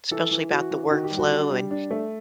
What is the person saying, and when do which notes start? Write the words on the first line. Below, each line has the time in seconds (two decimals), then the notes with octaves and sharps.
especially about the work flow and
0.11 E3 A4
0.31 E3
0.51 E3 F#4
0.71 E3
0.91 D#3 F#4
1.04 G4
1.11 G3
1.17 F#4
1.31 D4
1.50 G3
1.71 D4
1.91 A3